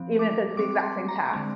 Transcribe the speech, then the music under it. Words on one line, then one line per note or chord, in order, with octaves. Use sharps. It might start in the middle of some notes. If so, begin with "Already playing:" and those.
even if it's the exact same task.
Already playing: F3 C4
D6
G3 C4 D6
C6
A#5
D3 G#3 C4